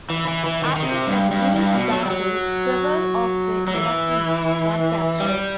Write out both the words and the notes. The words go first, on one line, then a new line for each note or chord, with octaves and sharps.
After a brief battle, several of the Iraqis were captured.
E3
E3
E3
D#3
D#3
C3
G2
G2
G2
B2
F#3
G3
F#3
F#3
E3
G3